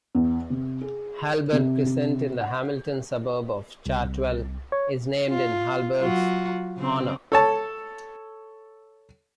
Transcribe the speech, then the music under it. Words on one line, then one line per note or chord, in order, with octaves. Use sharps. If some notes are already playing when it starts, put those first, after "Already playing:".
Halberg Crescent, in the Hamilton suburb of Chartwell, is named in Halberg's honour.
E2
C3
G#4
C3
C3
F#5
C2
C#5
F4
F#3 F4 F#4
C#3 C4
A4 C#5 A5